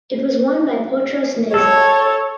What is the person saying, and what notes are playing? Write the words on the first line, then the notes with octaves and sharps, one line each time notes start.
It was won by Potros Neza.
A4 C#5